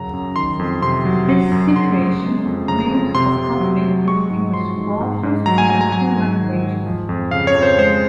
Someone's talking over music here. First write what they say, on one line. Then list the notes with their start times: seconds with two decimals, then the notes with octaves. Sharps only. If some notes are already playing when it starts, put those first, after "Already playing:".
This situation made for conflict between the supporters of the two languages.
Already playing: F#2 C#3 F#3 A#5
0.13 F#2
0.36 D#3 C6
0.59 F2
0.82 C3 C6
1.05 F#3
1.28 F#3
1.52 F#2
1.75 C#3 C6
1.99 F#2
2.22 G#3
2.46 F2
2.68 C#3 A#5
2.91 F2
3.15 C3 C6
3.37 C3
3.60 F#3
3.85 F#3
4.08 G#3 C#6
4.30 G#2
4.53 F3 C6
4.76 G#2
5.01 G#2
5.23 G#2
5.46 F#3 A#5
5.58 G#5
5.69 F#3 G#5
5.81 A#5
5.92 F#3 G#5
6.16 G#2
6.39 D#3
6.63 G#2
6.86 F3
7.09 F2
7.31 C#3 F5
7.47 C#5
7.55 F2
7.63 C5
7.78 G#3 C5